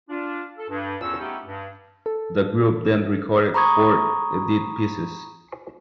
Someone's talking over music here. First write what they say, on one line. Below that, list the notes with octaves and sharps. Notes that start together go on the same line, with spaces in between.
The group then recorded four edit pieces.
D4 F4
A4
G2
E2 C#4 F4 A4 E6
A3 B3 C#4 D#4 G4
G2
A4
A#5 B5 C#6 D#6 G#6